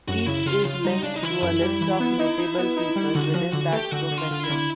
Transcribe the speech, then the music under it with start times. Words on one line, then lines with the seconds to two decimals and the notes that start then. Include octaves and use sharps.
Each is linked to a list of notable people within that profession.
0.08 F#2 F#4
0.26 C#3 E4
0.46 C#3 F4
0.65 C#3 F4
0.85 G3 D#4
1.03 C#3 D4
1.16 D#4
1.22 E3 E4
1.42 F#2 E4
1.61 G3
1.81 E3
2.00 B3
2.19 D#4
2.38 D#4
2.58 B3
2.77 D#4
2.96 G3
3.15 D3 F#4
3.34 F3 F#4
3.53 D3 F#4
3.73 A3 G4
3.91 D3 F#4
4.11 D3
4.18 F4
4.31 D3
4.43 E4
4.50 D3